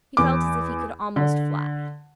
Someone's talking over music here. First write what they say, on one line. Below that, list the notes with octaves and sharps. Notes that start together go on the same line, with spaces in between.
He felt as if he could almost fly.
E2 D6
D3